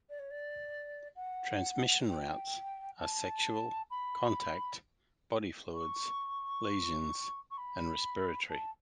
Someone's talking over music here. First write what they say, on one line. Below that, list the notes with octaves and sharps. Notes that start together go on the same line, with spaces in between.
Transmission routes are sexual, contact, body fluids, lesions, and respiratory.
D5
C#5
D5
F#5
G5
A5
B5
C#6
C#6
B5
A5